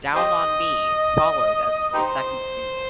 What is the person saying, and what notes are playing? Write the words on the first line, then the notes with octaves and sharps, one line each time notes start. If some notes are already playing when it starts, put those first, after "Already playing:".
"Down on Me" followed as the second single.
G4 C5 D#5
D#4 G4 C5